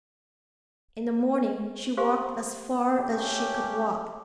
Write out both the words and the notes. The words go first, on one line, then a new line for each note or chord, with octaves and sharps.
In the morning, she walked as far as she could walk.
G4 C5 F5 G#5 C6 D6
C#3 A3 C#4 G4